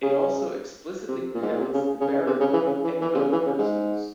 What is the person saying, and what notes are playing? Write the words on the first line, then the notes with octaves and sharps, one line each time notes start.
It also explicitly prohibits the burial of any other persons.
C#3
C3
A#2
G#2
A#2
C3
C#3
C#3
C#3
C3
C#3
E3
C#3
E3
E3
C3
C#3
E3
C#3
G#2